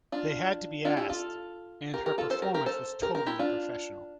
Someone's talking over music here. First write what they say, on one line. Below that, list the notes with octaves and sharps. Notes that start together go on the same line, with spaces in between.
They had to be asked, and her performance was totally professional.
D4 F4
D4 F4
E4 G4
F4 A4
G4 A#4
G4 A#4
F4 A4
A4 C5
G4 A#4
G4 A#4
A4 C5
G4 A#4
G4 A#4
E4 G4
D4 F4